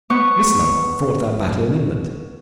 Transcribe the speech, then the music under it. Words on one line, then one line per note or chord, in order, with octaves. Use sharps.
Whistler fought that battle in England.
B3 C#6